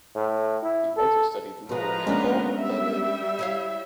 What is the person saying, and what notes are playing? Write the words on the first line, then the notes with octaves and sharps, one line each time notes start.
He later studied law in Bonn and Berlin.
A2
E4
A4
A2 F3 G#3 B4 A#5
G#3 A#3 B3 C#4 D4
G3 E5
E4 C#5 F5